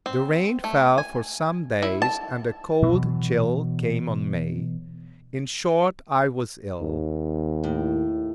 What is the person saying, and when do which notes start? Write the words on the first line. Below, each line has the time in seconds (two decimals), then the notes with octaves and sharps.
The rain fell for some days and a cold chill came on me; in short I was ill.
0.06 C4
0.64 A3
0.98 G#5
1.82 E4
2.02 A5
2.82 B2 E3 F#3
6.81 D#2
7.64 A2